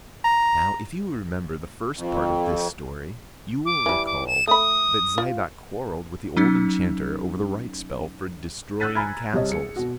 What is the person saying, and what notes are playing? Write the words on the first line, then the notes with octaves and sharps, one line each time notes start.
Now, if you remember the first part of this story, you will recall that Zidoc quarreled with the old enchanter over the right spell for destroying castles.
A#5
F2
D6
E3 G3
D6
E7
A3 B5 D#6
F4
F#3 C#4 D#4
E6 F#6 G6 A6 B6 D#7
G#5 A#5 B5 F6 G#6
C2 C3 C#5 D#5
G#4 C#7
B2 F#4